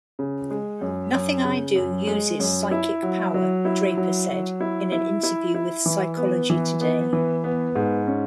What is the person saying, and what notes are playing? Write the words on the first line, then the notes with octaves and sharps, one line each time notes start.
"Nothing I do uses psychic power," Draper said in an interview with Psychology Today.
C#3
G#3
F#2
F#2
C#3
F#2
G#3
F#2
E4
F#3
F#3
E4
F#3
F#3
E4
E4
E4
E4
E3
B3
E3
B3
E3
B3
G#2
C#4